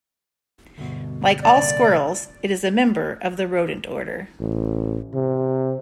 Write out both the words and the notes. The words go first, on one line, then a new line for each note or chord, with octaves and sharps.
Like all squirrels, it is a member of the rodent order.
D2 G2 B2
D5
C2 A#2 D3
A1
C3